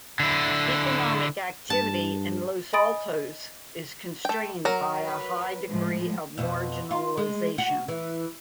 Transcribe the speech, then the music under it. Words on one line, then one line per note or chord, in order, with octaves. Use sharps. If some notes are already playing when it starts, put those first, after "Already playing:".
Economic activity in Los Altos is constrained by a high degree of marginalization.
D3 E4
G2 A5
D#5 G#5 B5 D#6 A6 D7
A3 G5
F#3 A#4
B4
A2 F3 G#3
F2 B2
F4
G#3
F#4
E3